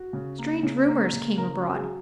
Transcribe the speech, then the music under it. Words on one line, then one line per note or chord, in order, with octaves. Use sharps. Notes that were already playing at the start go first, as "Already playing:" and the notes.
Strange rumors came abroad.
Already playing: F#4
C#3
A#3
C#3
A#3
C#3
C#3 A#4
F#3
G#4